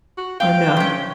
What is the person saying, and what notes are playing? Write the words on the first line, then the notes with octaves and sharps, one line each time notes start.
or no?
F#4
F5 G5
C3 C#4